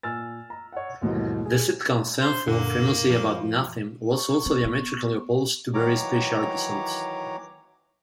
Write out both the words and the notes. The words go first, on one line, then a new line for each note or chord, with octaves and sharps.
The sitcom "Seinfeld", famously "about nothing," was also diametrically opposed to very special episodes.
A#2 G#5 E6 F6 A6
A#5
C#5 F#5
D#2 G#2 B2 E3 F#3 A3
G#4
C5
F#2 A#2 D3 A#3
F3
C#6
C4
B3
D#3 E3 F#3 C#5 A#5 D6